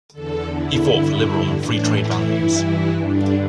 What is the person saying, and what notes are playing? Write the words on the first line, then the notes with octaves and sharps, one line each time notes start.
He fought for liberal and free-trade values.
E2 D3 A4
E4
G2 D3
A2 E3 D4
E4
G2 E3
G2 D3 D4